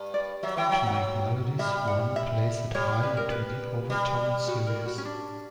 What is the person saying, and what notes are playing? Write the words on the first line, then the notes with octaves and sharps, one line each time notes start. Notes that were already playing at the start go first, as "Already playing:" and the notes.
To make melodies, one plays it high into the overtone series.
Already playing: G2
D5
F#3 E5
E3 G5
F#3 G5
F#5
G3 E5
F#5
E5
G3 C#5
B4
A#4
B4
G3
F#4
A#4
F#4
C#4
D4